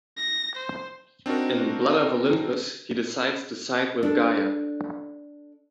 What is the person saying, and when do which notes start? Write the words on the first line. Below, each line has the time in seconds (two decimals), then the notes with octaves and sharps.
In Blood of Olympus he decides to side with Gaia.
0.17 A#6
0.56 C5
1.26 C4 D4 D#4 F#4 A#4
4.03 D4 A4